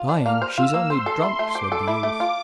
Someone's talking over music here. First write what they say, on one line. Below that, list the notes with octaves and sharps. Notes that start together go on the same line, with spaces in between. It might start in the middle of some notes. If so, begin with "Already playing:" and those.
"Dying; she's only drunk," said the youth.
Already playing: F4
D4
A#3 F6
C5
F4 E6
A#3
C5 C6
A4
E4 C6
A3
C5 D6
A4
E4
A3
F4